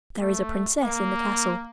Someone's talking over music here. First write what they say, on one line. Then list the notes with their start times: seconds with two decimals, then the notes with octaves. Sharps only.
'There is a princess in the castle.
0.21 A3
0.84 A#3